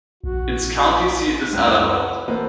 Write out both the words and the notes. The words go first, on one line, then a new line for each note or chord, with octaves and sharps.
Its county seat is Alamo.
A#1 F#4
C#2 F#2
B4 F#5
E3 A#3 A4 B4 C5